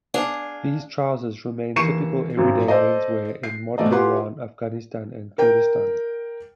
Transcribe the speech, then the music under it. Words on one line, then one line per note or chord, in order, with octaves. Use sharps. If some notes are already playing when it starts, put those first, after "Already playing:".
These trousers remain typical everyday menswear in modern Iran, Afghanistan and Kurdistan.
D4 G#4 F5
D#2 E3 C#6 C7 C#7 E7
G#1 F#2
A4 C5 D5 D#5
C7
G#2 A3 D5 D#5
F4 G4 G#4 B4 F#5 C6
A#4 G5